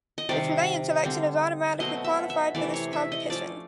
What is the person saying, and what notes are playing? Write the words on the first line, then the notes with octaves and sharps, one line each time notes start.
The Chilean selection is automatically qualified for this competition.
D#5
C3 D#3 G3 D5
D3 G3 C4
B2 F#3 A3 C4 D#5
E5
E5
C3 E3 A3 D5
C#5
E5
D#5
F3 A3 C#4 D5